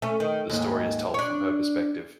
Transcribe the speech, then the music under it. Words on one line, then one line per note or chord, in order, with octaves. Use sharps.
The story is told from her perspective.
A3 C#4
D#3
D#2 G#2
D4 C#5